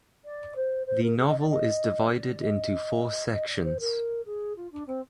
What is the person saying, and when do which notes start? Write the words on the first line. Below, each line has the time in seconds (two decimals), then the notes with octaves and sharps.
The novel is divided into four sections.
0.25 D5
0.55 C5
0.86 C5
1.02 A#4
1.17 G#4
1.28 D#5
1.38 D5
1.48 D#5
2.10 D5
2.40 D#5
3.32 D#5
3.48 D5
3.63 C5
3.79 A#4
4.25 G#4
4.56 F4
4.72 D4
4.86 C4